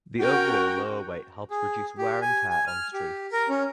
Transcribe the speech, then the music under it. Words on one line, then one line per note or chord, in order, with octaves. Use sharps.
The overall lower weight helps reduce wear and tear on streets.
C#4 F#4 A#4 G5
G#4
G4
G#5
G#5
F6
G4
A#4
C#4